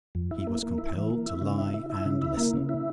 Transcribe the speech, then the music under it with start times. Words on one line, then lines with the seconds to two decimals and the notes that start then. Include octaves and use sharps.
He was compelled to lie and listen.
0.15 F2
0.31 E4
0.47 A#3
0.63 A#3
0.78 E4
0.95 E3
1.10 A#3
1.26 E4
1.42 C#3
1.58 E4
1.74 E4
1.90 E4
2.05 C#3
2.22 E4
2.37 A#3
2.53 C#3
2.69 E4